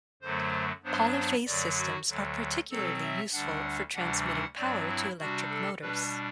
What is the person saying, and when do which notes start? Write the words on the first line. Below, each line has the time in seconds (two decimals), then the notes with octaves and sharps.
Polyphase systems are particularly useful for transmitting power to electric motors.
0.22 F#2 D3 F#3 A3 C5
0.84 G2 F#3 B3 D4 C5
1.46 F#2 D3 F#3 D5
1.78 F#4
2.08 D2 D3 F#3
2.71 B2 F#3 C4 A4
3.02 E5
3.32 D2 D3 G3 D4 F#5
3.94 D2 C3 E3 G3 D4 F#5
4.25 F#5
4.57 G2 F#3 C4 D5
4.88 E4
5.19 C3 G3 D4 F#4
5.49 A4
5.80 B2 G3 D4 B4